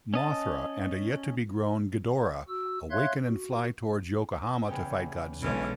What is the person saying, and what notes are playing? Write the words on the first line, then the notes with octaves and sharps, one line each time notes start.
Mothra and a yet-to-be-grown Ghidorah awaken and fly towards Yokohama to fight Godzilla.
C#4 D#5 A5
F#4 E6
C#5 E5 F5 C6 F#6 G#6
F#4
E2 C#3 G5
B1 D3 E3 G#3 C#4